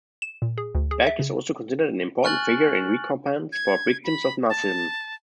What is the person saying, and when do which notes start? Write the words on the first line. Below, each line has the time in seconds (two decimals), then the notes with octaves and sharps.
Beck is also considered an important figure in recompense for victims of Nazism.
0.22 E7
0.42 A#2
0.58 G#4
0.75 D2
0.91 G#4
1.07 E5
1.19 C#3
2.23 G#5 C#6 F6 F#6 A6 F#7
3.52 G#6
4.04 B5
4.49 A5